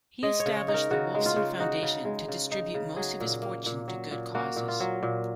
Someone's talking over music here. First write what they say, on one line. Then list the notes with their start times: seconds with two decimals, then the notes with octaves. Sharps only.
He established the Wolfson Foundation to distribute most of his fortune to good causes.
0.23 G#3 D#5
0.40 C#5
0.46 C#3
0.57 C#5
0.68 D#4
0.74 A#4
0.91 C#3 F#4
1.15 G#3
1.26 F4
1.36 C#3
1.60 D#4 F#4
1.83 C#3
2.05 G#3
2.28 C#3
2.51 D#4
2.74 C#3
2.96 F#3 G#4
3.20 A#2
3.42 A#3
3.66 A#2
3.88 F#3
4.11 A#2
4.35 A#3 F#4
4.56 A#2
4.68 F4
4.80 F#3
5.03 A#2